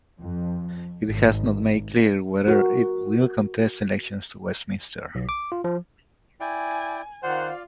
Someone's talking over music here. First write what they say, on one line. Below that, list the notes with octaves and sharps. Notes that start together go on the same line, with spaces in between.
It has not made clear whether it will contest elections to Westminster.
F2
G#1
F#4 A#4
B1
D6
F4
F3
E4 D5 G5 G#5
D#3 F4 C5 D5 F5 F#5